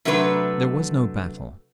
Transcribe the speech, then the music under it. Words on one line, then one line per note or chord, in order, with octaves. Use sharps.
There was no battle.
C3 F#3 A3 D4 A#4 B4